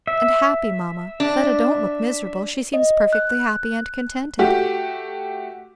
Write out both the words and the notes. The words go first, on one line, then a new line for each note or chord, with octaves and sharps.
"And happy, mamma--Fleda don't look miserable--she seems perfectly happy and contented!"
E5
D4
D#5
F#6
A3 F#4 G4